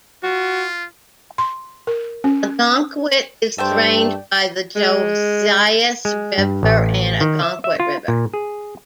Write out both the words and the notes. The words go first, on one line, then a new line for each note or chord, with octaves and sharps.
Ogunquit is drained by the Josias River and Ogunquit River.
F4 F#4
C6
A#4
C#4
G2 A3 C5 D5 G5
G#3
G#3
G2
A1
D#3
E5
E5
F4
A#2
G#4